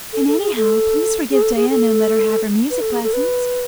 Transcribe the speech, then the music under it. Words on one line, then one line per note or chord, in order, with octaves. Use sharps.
And anyhow, please forgive Diana and let her have her music lessons.
A4
A4
G#4
A4
G#4
A4
G#4
A4
B4
A4
G#4
A4
B4